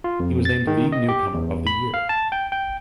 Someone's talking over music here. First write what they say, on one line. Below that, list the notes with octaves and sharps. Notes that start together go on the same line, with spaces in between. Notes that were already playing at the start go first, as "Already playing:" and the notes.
He was named league newcomer of the year.
F4
F2
A6
D#3
D#5
G4
E2
B5
F5
A5
G5
G5